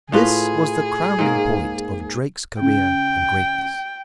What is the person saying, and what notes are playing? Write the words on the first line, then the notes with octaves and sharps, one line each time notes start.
This was the crowning point of Drake's career and greatness.
A2 F4 G#4 B4
G#2 A#3
C#3 G5